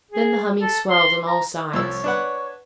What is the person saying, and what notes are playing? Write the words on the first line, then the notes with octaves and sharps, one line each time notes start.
Then the humming swelled on all sides.
G#4
A4
C6
A#5
C2 F3 C#5 E6
D4 B4 F#5